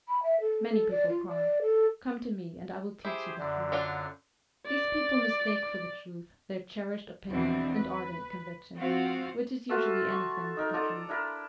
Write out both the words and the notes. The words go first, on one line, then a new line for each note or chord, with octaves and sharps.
Many people cry, "Come to me, and I will teach you the truth!" These people mistake for the truth their cherished opinion and ardent conviction, which is usually any thing but the truth.
B5
E5
A4
A4
D5
F4
D5
A4
E4 G4 G#4 C5
F#2 D3 D5
F#3 D4 F4
D5
E2 B2 E3 C4 D4
B4
F3 C4 F4 F#4 F5
F4 F#4 A4 E5
C#6
D#4 A#4
F4 A4 D5 A#5
D4 E4 A#4 B5